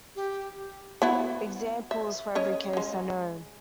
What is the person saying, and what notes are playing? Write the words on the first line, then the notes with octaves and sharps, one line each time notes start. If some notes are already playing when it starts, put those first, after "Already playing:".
Examples for every case are known.
G4
B3 E4 F#4
E5
C#4 C#5 D#5
G#3 C#4